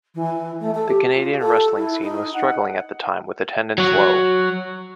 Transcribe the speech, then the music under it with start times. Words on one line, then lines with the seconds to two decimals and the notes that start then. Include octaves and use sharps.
The Canadian wrestling scene was struggling at the time, with attendance low.
0.15 E3
0.60 A3
0.74 A4
0.88 G4
1.15 F4
1.39 A4
1.76 E4
2.02 D#4
2.34 F#5
3.78 F#3 F#4